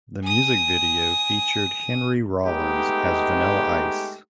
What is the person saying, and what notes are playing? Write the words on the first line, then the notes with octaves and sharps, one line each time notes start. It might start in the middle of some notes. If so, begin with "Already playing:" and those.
The music video featured Henry Rollins as Vanilla Ice.
G#5 D#6
G#3 A3 B3 D#4 G4